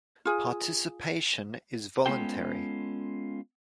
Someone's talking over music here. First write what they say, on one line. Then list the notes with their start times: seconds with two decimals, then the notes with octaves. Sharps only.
Participation is voluntary.
0.25 F4 G#4
2.06 G#3 B3 C#4 F4 A4 G5